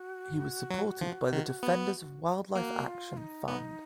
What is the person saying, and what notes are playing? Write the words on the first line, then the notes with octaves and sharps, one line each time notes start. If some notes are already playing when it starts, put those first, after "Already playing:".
He was supported by the Defenders of Wildlife Action Fund.
Already playing: F#4
F#3
F3
D#3
B3
A#3 F#4
F4
D#4
B3 D#4